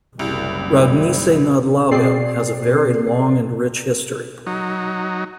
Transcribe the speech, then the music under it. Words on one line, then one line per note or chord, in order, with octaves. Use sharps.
Roudnice nad Labem has a very long and rich history.
F#1 C2 G3 E4
B2 C4 G#4 D5 C7
F#3 D#4